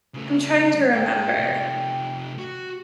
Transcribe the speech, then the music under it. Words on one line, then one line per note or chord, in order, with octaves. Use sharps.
I'm trying to remember.
C#3 A3
A2 G5
C3 A3
F#4